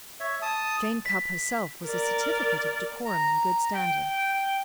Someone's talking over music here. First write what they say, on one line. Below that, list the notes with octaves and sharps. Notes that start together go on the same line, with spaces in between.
Jane Cupp herself was a certificate of decorum and good standing.
C#5 E5
A5 D#6
B6
A#4 D5
A#5
G5